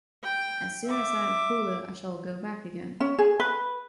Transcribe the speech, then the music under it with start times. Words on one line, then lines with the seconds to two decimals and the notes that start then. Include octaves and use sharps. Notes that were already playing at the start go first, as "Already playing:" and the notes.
As soon as I am cooler I shall go back again.
0.24 G5
0.86 E5 D6
3.00 C#4
3.19 G#4
3.40 B4